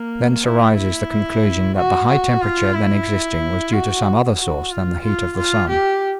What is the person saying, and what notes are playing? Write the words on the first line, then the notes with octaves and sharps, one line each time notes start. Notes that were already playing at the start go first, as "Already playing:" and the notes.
Thence arises the conclusion that the high temperature then existing was due to some other source than the heat of the sun.
Already playing: A#3
E4
E4
F#4
F#4
F4
E4
F#4
F#4
F4
F4
F4
G4